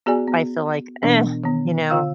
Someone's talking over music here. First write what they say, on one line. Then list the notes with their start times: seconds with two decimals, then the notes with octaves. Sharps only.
I feel like, eh, you know?
0.06 B3 F#4 G#4 D5 G#5
0.28 B3
1.03 B2 E3 B3 D4
1.44 D#3 B3
1.90 D3 F4 F5 E6